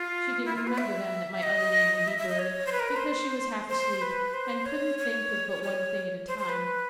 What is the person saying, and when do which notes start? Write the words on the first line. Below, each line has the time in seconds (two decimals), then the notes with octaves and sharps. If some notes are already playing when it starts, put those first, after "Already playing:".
She didn't remember then that my other name would be Bird, because she was half asleep, and couldn't think of but one thing at a time.
Already playing: F4
0.45 E4
0.56 F4
0.67 B4
0.78 E5
1.43 D#5
2.08 E5
2.18 E5
2.29 D#5
2.39 C#5
2.67 C5
2.72 B4
2.80 A#4
2.88 B4
2.96 C5
3.69 C5
4.02 B4
4.34 C5
4.66 C#5
4.98 C#5
5.63 C#5
6.28 C5
6.39 C5
6.49 B4